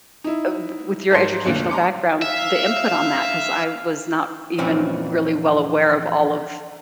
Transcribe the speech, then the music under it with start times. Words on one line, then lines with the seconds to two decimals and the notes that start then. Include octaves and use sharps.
uh, w with your educational background, the input on that 'cause I was not even really well aware of all of
0.24 D#4 E4
1.10 G#2 A#4 A5 C6
1.46 F1 A#2 D3
1.70 A#5 C6 D6 C#7
2.22 E5 F5
4.58 F2 A#2 E3 C4 C#4